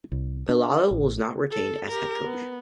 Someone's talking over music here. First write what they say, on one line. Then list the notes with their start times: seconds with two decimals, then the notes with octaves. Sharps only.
Belisle was not retained as head coach.
0.12 C2
0.49 D4
0.91 A1
1.51 A4
1.88 G4 A#4
2.23 B3